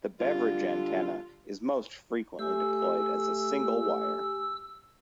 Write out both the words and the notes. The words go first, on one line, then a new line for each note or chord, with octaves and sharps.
The Beverage antenna is most frequently deployed as a single wire.
D3 G3 F4
A3 G4 G#5 E6